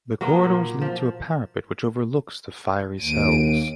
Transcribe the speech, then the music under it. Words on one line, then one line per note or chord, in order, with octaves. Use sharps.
The corridors lead to a parapet which overlooks the fiery cells.
F#3 A#3 B3
A#2
F3
D#2 D7 D#7